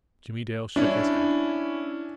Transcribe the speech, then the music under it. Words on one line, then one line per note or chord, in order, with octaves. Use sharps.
Jimmie Dale shook his head.
C#4 D4 E4